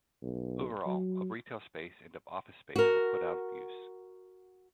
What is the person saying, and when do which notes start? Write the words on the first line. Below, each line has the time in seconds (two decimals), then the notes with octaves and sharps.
Overall, of retail space and of office space were put out of use.
0.22 B1
0.87 F#3
2.76 F#4 A#4